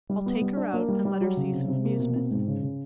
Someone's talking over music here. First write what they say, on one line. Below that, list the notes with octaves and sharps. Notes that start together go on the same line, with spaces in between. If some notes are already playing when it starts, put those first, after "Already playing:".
I'll take her out and let her see some amusement.
G3
B3
G3
D4
A#3
G3
G3
F#3
C#3
C3
C3
A#3
B2
C4
G#2
C#3
C#3